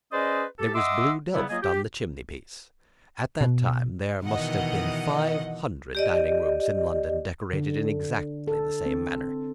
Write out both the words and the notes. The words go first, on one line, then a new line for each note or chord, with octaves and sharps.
There was blue delft on the chimney-piece. At that time there must have been five hundred dining-rooms in London decorated in exactly the same manner.
C#4 G#4 B4 C5 D5 D#5
G4 A4
D#5 E5 F#5 C6 D6 E6
C#3 F#3 G3 B3 E4
F#3 A#3 F4 G#4 D#5
G4
B2
B2 D#3 E3 D#5 F#5
G4 D5 D#5
D3
A4
C4